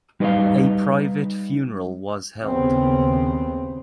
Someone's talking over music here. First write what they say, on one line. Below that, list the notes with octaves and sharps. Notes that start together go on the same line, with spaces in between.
A private funeral was held.
G3 D#4 B4 D5 D#5 F5
D#2 C#3 B3 C4